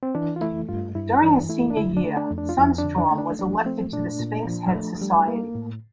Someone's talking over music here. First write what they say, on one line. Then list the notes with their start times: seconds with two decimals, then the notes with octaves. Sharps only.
During his senior year, Sundstrom was elected to the Sphinx Head Society.
0.03 C4
0.15 E3 D4
0.36 F4
0.41 A3 E4
0.69 G2 F4
0.95 G2 E4
1.22 E3 D4
1.49 A3 E4
1.71 D4
1.77 D3 E4
1.97 D4
2.04 A3
2.17 D4
2.31 F2
2.38 D4
2.49 F4
2.58 F2 E4
2.78 D4
2.84 D3
2.98 D4
3.11 A3
3.18 D4
3.39 F3 D4
3.65 A3 C4
3.92 A#2 D4
4.20 A#2
4.47 F3
4.74 A3
5.02 G3
5.28 A#3
5.55 A2